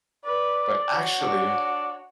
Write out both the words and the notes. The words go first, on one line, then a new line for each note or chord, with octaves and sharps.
But, actually
B4 D5
F#4 C#5
D4